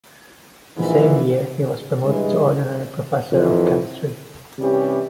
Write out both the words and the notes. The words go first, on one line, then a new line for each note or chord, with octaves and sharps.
The same year, he was promoted to Ordinary Professor of Chemistry.
A#1 G#2 E3
G2 E3 G#3
F2 C3 E3
C3 E3 G3 C#4 G4